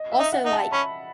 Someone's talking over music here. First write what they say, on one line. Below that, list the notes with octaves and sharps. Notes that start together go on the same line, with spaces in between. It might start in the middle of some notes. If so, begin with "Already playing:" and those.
also, like,
Already playing: D#5
E5
D#4
F#5
D#4
A5
C#4 B5